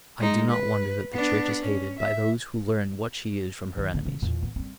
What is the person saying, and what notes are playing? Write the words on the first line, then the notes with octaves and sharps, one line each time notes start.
I do not wonder that the Church is hated by those who learn what she is from her enemies.
G#3 D#4
B4
B3 D4
C#4
E5
D#2 D#3
D3 D#4
C#3
E2 A#2
B3
G3 C4